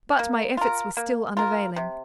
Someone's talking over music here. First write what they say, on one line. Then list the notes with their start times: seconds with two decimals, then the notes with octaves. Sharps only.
But my efforts were still unavailing.
0.19 A#3
0.57 F4 A#4
0.97 A#3
1.37 F4 A#4
1.76 C3